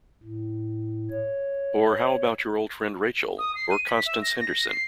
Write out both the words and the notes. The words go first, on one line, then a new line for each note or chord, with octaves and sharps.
Or how about your old friend Rachael — or Constance Henderson?
A2
C#5
D#6
C7
D#7
B6
E5
A#6
A#6
C7